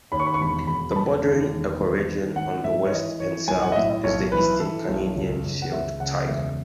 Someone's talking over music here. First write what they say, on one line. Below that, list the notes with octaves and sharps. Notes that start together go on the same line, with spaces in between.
The bordering ecoregion on the west and south is the Eastern Canadian Shield taiga.
D#2 B5
C#6
B5
C#6
E1 B5
E1 B5
B5
E1 A5
D#2
E1
G#1
D#3
G#1 F#5
G#2 E5
C#5
E3 D#5
E3 C#5
B1 G#5
F#5
D#5
A2 E5
D#5
B1 C#5
E3 B4
E3 A4
B1
C#2
C#2
F#5
C#2 E5
C#3 F#5
E1 E5